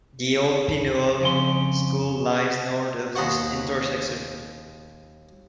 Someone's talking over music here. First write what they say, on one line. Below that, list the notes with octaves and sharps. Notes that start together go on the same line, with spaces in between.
The old Pinoak School lies north of this intersection.
F2 C#3 C6
D#2 D#4 C5 F#5 C#6